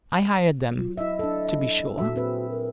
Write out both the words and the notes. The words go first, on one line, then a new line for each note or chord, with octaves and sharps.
I hired them, to be sure.
F#3 F4
E4 D#5 E5
D4 A4
A#2 F#4 A4 E5
C4 G#4 B4
A#4